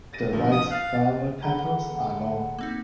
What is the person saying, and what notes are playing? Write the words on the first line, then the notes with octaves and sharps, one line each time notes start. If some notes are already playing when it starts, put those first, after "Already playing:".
The white flower petals are long.
A6 A#6 D#7
D2 G2 F3
D#6
F5 F#6 A6
A6
D3 G#4 F#5 A#5 B5 G7
A#3 C4 D#4